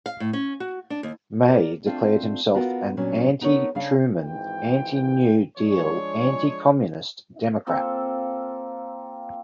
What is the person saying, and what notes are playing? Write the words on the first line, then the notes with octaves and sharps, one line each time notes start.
May declared himself an anti-Truman, anti-New Deal, anti-communist Democrat.
F5
A2
C#4
F#4
D4
D#2
A#4 D5
A3 C4 D4 F4 A4
B3 F4 F#4 A#4
A#2 F#3 C#4 D4
B3 D#4 A4 A#4 C#5
C#3 C#4 D4 F5
G#1 G#2 E3 G5
F3 G#3 D4 G#4 C#5
A#3 C4 F4 A4